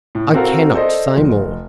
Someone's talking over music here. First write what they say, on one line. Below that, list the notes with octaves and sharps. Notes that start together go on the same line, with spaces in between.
I cannot say more.
A2
C4 F#4 A4 A#4 F5
A4 C5 D5 D#5
F1